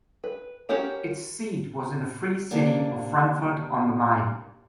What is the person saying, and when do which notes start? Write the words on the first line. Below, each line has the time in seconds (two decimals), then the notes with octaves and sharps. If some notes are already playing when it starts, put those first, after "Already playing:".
Its seat was in the Free City of Frankfurt on the Main.
0.24 B4
0.69 C#4 F#4 G4 A#4 C#5
2.51 C3 A#3 D4